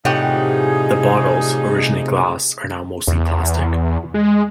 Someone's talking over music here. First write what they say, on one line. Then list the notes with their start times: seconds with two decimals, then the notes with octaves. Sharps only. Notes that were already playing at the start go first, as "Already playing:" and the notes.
The bottles, originally glass, are now mostly plastic.
0.05 A2 C3 F3 G3 D#4 G4 G#4 F#5
3.07 E2
4.14 G#3